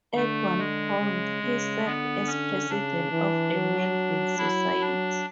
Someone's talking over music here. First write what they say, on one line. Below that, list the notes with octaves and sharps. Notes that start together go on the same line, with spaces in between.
At one point, he served as president of the Melville Society.
D3 A3
G#3
C#3
C#3
D3 B3
C#4
C#3 D4
E3
F#3
F#3 E4
D4